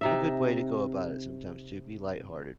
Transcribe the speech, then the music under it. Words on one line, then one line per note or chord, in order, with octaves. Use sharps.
a good way to go about it sometimes, to be lighthearted.
C3 D#4 E5